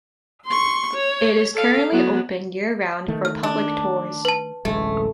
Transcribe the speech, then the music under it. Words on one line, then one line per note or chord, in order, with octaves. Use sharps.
It is currently open year-round for public tours.
C6 C#6
C#5
A4 F5
F#3 B3
D#3 A3
F6
D4
B4 A5
D1 A1 G#3 A3